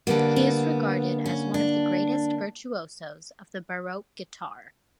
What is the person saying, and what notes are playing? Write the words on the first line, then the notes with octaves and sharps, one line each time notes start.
He is regarded as one of the greatest virtuosos of the Baroque guitar.
D3 G3 A#3 B3
B3
C#4
D4